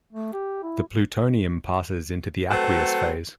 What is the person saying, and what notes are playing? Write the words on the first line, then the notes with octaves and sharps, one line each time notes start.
The plutonium passes into the aqueous phase.
A3
G4
E4
F#3 A3 C4 A4 B4 F#5